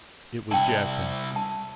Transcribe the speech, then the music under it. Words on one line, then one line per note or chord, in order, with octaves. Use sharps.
It was Jackson.
C2 E4 G5 A5
A5